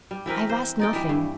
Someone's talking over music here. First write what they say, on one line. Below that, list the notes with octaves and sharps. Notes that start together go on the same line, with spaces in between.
I have asked nothing.
G3
E3 C4 A#4 B4
C5
D#4 D5 G5
E3 G3
G2